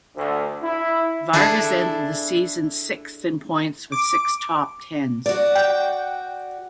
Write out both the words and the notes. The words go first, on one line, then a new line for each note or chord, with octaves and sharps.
Vargas ended the season sixth in points with six top tens.
D2
E4
D4 E4 G#4 A4
D6
F#4 D5
G5